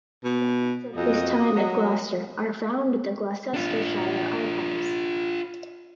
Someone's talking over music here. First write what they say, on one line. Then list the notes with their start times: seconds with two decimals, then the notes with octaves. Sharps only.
Records of his time at Gloster are found at the Gloucestershire Archives.
0.24 B2
0.96 F2 F#4 D#5
1.56 F#3
3.54 D4 F4